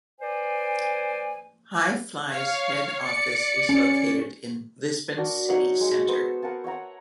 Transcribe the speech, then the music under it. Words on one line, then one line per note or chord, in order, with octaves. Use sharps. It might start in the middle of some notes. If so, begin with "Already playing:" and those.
Hi Fly's head office is located in Lisbon's city centre.
B4 C5 D5 G#5
C#5 F5
D5 C#7
C#4
D4 F#4 A#4 D5
F#3 D#4 C#5 F#5
G#3 G#4
B3 A4 C5 E5
A#4 F#5 G#5 A5
C#5 E5 F#5 A#5